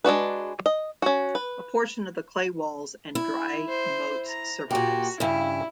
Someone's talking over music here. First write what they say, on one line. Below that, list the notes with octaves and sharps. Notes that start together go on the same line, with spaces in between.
A portion of the clay walls and dry moats survives.
G#3 D4 F#4 B4
D#5
C#4 F#4
B4
E4
C5
A#5
A#2 F#4 G4
G2 C#3 E4